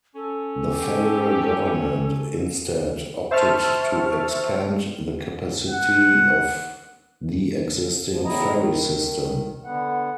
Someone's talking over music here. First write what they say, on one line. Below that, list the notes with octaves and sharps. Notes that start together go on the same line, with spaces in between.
The federal government instead opted to expand the capacity of the existing ferry system.
C#4 A4
G4
C5 E5 A5 C#6 F6
F#5
E2 G2 F3
E2 A2 E4 D#5 A#5
D#3
D3 B3 F#5